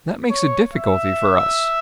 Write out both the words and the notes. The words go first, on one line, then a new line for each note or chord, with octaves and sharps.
That makes a difficulty for us.
C#5
E5